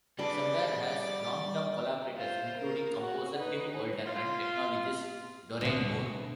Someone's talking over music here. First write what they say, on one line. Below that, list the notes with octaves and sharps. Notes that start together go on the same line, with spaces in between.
Somewhere has long-term collaborators including composer Tim Olden and technologist Dorian Moore.
G3 D4 G#4 B4 D5
F4 C5
A#4
F#4
D#4 B4
F4
D2 B2